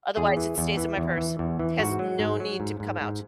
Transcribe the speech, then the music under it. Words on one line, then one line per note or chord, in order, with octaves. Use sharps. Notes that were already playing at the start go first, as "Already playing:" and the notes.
Otherwise, it stays in my purse. Has no need to come out.
E2 G#4
E3
E2
E3
E2
E3
E2
E3
G#2 F#4
F#3
G#2
F#3
G#2
G#2
G#2